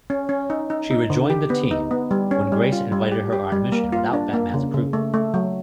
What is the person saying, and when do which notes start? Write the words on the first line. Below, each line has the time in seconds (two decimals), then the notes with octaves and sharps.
She rejoined the team, when Grace invited her on a mission, without Batman's approval.
0.10 C#4
0.29 C#4
0.50 D#4
0.70 D#4
0.91 D#4
1.10 D3
1.30 G4
1.50 B3
1.71 D#4
1.91 B3
2.11 G3
2.31 C#4
2.52 G3
2.72 F4
2.92 G3
3.12 G4
3.32 G4
3.52 G3
3.72 A#3
3.92 F4
4.13 D4
4.34 A#3
4.54 C#3
4.74 C#3
4.93 A3
5.14 A3
5.34 F#3